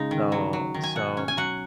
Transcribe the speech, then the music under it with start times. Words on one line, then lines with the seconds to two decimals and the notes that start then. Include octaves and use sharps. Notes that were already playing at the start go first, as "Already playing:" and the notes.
So so
Already playing: C#3 G#3 D#4
0.11 D#3
0.32 F#3
0.53 F#3
0.74 D#3
0.83 G#5
0.95 B2 F#5
1.17 C#4
1.28 G#5
1.37 F#3 F#5